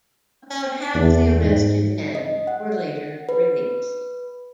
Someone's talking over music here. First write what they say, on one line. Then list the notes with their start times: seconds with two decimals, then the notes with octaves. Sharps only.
About half the arrested men were later released.
0.94 E2
1.43 G#2
2.15 D#5
2.47 F#5
3.29 B4